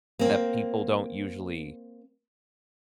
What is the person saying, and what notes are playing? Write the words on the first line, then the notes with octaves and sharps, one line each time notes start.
that people don't usually
A#3 C4